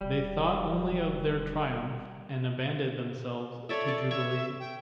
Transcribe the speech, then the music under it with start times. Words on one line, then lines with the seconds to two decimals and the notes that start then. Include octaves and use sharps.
They thought only of their triumph, and abandoned themselves to jubilee.
0.01 E1 G3
3.69 A4 C#5 D5 E5
3.88 D5
4.11 C#5 E5 C#6
4.60 G5